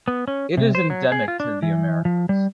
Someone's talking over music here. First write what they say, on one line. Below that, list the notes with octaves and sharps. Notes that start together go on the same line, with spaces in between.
It is endemic to the Americas.
B3
C#4
C3
C5
F#3
G#4
F4
D4
E3
F3
G3